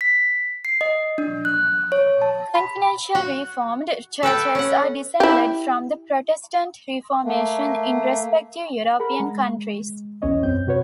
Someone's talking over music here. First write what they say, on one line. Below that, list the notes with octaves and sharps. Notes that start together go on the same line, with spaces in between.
Continental Reformed churches are descended from the Protestant Reformation in respective European countries.
B6
C7
D#5
D4
F#6
C#5
A5
B5
F#4
A4 B4 G5 A5
C#4 F#5
E4 G4
A3 A#3
G#4 A#4 F#5 A#5 B5
G#3
B1 E2 C#4 C#5 D#5
F#2 C4 G6
C3 F#4 B4 C#5